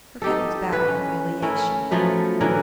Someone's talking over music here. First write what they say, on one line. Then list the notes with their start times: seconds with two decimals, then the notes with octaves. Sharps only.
Her head was bowed in humiliation.
0.22 D#4 G4 A4
0.73 B4
0.88 C#4
1.42 A3 C#4 E4 A#4
1.91 F3 F#3 A3 B3
2.41 D3 E3 F#3 A#4